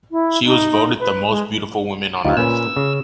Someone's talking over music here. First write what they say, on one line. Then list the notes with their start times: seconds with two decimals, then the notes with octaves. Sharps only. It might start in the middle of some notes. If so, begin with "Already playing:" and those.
She was voted the most beautiful woman on Earth.
0.11 E4
0.45 D#4
1.00 B4
1.30 G#3
2.25 D2 D#4 F4 G4
2.37 A#2 C#4 B4 E6
2.77 C#3